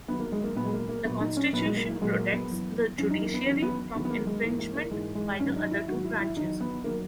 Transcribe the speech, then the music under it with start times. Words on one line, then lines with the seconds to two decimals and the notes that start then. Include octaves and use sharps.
The constitution protects the judiciary from infringement by the other two branches.
0.08 F#2 D#3 F#3 B3
0.20 A#3
0.32 G#3
0.44 A#3
0.56 A#2 F#3 B3
0.65 G#3
0.73 A#3
0.89 A#3
1.05 A#2 F#3 B3
1.21 D#4
1.37 C#4
1.53 A#2 B3
1.58 F#3
1.65 G#3
1.77 A#3
1.89 A#3
2.01 A#2 F#3 G#3
2.18 A#3
2.33 B3
2.50 F#2 E3
2.98 F#2 E3 C#4
3.10 D#4
3.22 A#3
3.34 B3
3.46 E2 D#3 F#3 C#4
3.62 B3
3.95 E2 D#3 F#3 B3
4.05 B3
4.10 A#3
4.27 G#3
4.43 G#2 E3 A#3
4.59 A#3
4.76 A#3
4.91 G#2 E3 G#3
5.15 G#3
5.40 G#2 D#3 F#3 C#4
5.56 D#4
5.71 E4
5.88 G#2 D#3 F#3 F#4
6.04 E4
6.20 E4
6.36 E2 D#3 F#3 D#4
6.61 B3
6.84 D#3 F#3 A#3